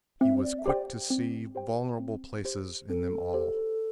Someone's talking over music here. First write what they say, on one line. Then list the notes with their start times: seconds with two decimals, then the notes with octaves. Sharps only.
He was quick to see vulnerable places in them all.
0.21 C4 E5
0.37 C5
0.43 D5
0.59 E5
0.66 G4 C5 D5 G5
1.10 C4
1.55 G4 C5 G5
1.99 C4
2.45 G4 C5
2.90 C4 A4
3.34 G4 C5